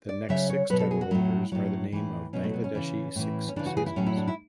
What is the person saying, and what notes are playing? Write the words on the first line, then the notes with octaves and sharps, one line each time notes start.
The next six title holders are the name of Bangladeshi six seasons.
D5
C#3 F#3 E5
C#5
B2 F#3 B4
A4
G#4
F#4
A2 F#3 E4
A2 F#3
A2 E3
B2 F#3 C#4
A3
B3
C#4
C#3 E3
A2 E3
C#4
C#3 E3 D4
F#4
G#4
E4
A2 F#3 C#4
E4
D4
E4